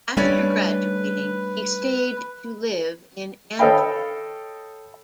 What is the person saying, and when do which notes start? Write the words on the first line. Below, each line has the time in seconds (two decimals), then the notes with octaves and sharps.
After graduating, he stayed to live in Antwerp.
0.17 G3 A3 C#4 D4 B4 C#5 D5
3.59 A4 C#5 D#5 F5 G5 B5